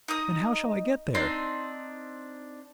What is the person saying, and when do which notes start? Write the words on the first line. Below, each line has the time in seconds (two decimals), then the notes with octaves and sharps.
"And how shall I get there?"
0.08 D#4 D#5 D#6
1.15 C4 D4 D#4 C6